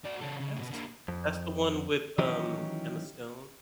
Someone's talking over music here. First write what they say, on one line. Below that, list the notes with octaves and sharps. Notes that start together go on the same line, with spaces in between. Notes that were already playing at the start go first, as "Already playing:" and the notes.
Yeah. That's that's the one with, um, Emma Stone?
F#4 D5
C#3 A4
C#3
G#2 B2
D3 A#3
F2
D#3 E3 F#3 C#4 G4 D#5